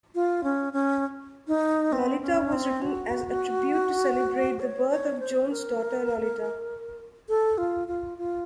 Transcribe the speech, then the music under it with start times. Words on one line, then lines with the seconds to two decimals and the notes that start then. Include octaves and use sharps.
"Lolita" was written as a tribute to celebrate the birth of Jones' daughter Lolita.
0.15 F4
0.44 C#4
0.73 C#4
1.48 D#4
1.93 C4
2.22 C#4
2.53 C4
2.82 F#4
4.60 C#5
4.90 C#5
5.20 C5
5.50 A#4
7.29 A4
7.58 F4
7.88 F4
8.18 F4